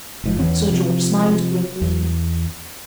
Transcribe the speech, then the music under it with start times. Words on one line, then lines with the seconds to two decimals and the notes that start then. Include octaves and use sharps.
Sir George smiled grimly.
0.24 F#1 G#2 F3
0.39 E2 E3 B3 C#4
0.68 C3 F3
1.81 E2